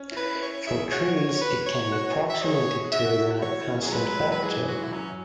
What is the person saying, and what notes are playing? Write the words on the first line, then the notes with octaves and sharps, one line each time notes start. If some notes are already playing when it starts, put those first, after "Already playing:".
For trees, it can be approximated to within a constant factor.
Already playing: C#4
E4
C#4 B4
C#5
G#4 E5
G#4
F#4 C#5
C#5
C#5
C#5
B4
C#5
F#4
E5
G#4 C#5
G#4
F#4 E5
F#4
E4
F#4
E4 C#5
C#4
F#3 G#4
G#3 B4
F#3
F#3
F#3 B4
E3 G#4
F#4
E3 E4
F#3 C#4